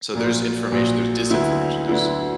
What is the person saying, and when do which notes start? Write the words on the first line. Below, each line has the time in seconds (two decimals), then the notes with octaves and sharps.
so there's information, there's disinformation, there's
0.13 A#1 A#2 F#3
0.72 A#1 A#2 F#3
1.30 D2 D3 F#3 B3 E4
1.89 D2 D3 F#3 B3 E4